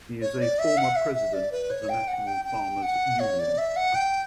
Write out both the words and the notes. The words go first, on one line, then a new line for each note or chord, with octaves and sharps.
He is a former president of the National Farmers Union.
C#5
D5
E5
F#5
E5
E5
D5
B4
C#5
G5
F#5
G5
G5
F#5
C#5
D5
E5
F#5
G5